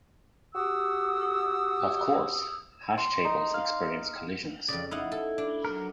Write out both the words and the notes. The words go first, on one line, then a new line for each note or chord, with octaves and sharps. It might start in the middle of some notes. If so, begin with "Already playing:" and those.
Of course, hash tables experience collisions.
F#4 G4 D#6 E6
C6
D#4
F5
F2 C#3 D5
D#4 E4 F5 F#5
A4
D4
F#3 A#4